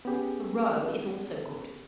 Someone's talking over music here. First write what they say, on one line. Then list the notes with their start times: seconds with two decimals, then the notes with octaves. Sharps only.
The roe is also good.
0.05 B3 C#4 G4 G#4